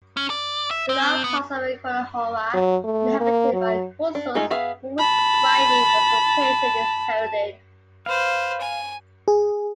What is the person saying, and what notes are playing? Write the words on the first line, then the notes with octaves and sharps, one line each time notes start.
The lower parts of Chornohora are inhabited by Hutsuls, whose primary occupation is herding.
C#4
D5
E5
C4
B3
F#3
A3
A#3
F#3
D4
G#3 A3 D#4 F4 G#4
B3 G#4 E5 F5
A5 B5
B4 C5 F5
G#5
G#4